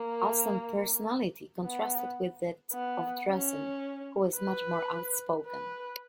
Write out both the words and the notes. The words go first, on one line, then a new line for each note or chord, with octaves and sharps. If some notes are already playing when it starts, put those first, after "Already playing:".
Alston's personality contrasted with that of Dressen, who was much more outspoken.
Already playing: A#3
B3
B3
C#4
B4
B4